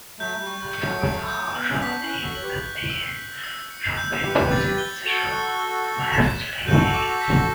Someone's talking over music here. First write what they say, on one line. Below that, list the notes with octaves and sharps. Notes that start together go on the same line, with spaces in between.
Foxhall Road is the main roadway passing through Wesley Heights.
F#3 A3 G6
G3
C#6
G3
C#7
F#3 A3
D7
G6
A3
B3 F#7
C#4
B3 D4 B6
C#4 E4
F#6
F#4 A4
C#5 F#7
G4 B4
G6
E6
B6
E6
C#7
G6
G4 B4 C#7
A6
G7
F#4 A4 C#7
F#6
G7
F#6
E7
B6
F#4 A4 G6
D6
B6